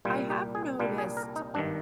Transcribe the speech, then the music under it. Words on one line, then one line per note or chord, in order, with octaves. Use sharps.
I have noticed
C2 A#2 G3 F4
G4
G#4
C2 A#2 G3 D4 F4
G#4
A#4
D#4
G#1 G2 D#3 D4